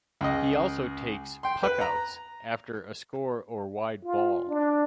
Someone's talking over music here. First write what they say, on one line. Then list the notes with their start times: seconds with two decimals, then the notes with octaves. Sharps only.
He also takes "puckouts" after a score or wide ball.
0.21 C#2 D#5
1.43 G5 C6
1.63 B4
1.81 A#5
4.04 F4
4.48 D4